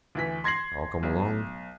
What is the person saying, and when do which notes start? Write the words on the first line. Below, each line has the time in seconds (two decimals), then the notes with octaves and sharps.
"I'll come along."
0.15 D2 E3 B6
0.44 C6 G#6 A#6 C7 F#7
1.03 B1